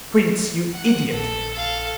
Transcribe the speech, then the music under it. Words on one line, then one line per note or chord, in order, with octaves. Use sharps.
"Prince, you idiot!"
F#5
A#1 A4
A4 F5